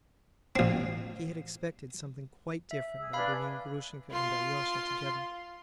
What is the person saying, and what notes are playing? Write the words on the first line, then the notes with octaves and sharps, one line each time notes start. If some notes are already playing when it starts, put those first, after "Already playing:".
He had expected something quite different by bringing Grushenka and Alyosha together.
A1 C4
E5
G#4 E6
D4 B4 F5 G#5 B5
F4 C6